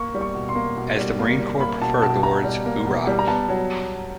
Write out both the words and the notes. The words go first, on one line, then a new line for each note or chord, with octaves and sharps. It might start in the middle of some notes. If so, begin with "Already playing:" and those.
As the Marine Corps preferred the word Oohrah!
Already playing: A#3 C#6
G3
C#6
B2
C6
A#3
B2
G3
A#3
G3
A#3 B5
B2 A5
B2 A5
B2 A#5
G3
A#3
B2
G3
A#5
B3 A5
F#3